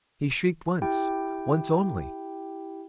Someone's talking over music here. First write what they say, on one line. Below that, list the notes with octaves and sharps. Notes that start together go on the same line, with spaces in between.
He shrieked once--once only.
E4 G4 G5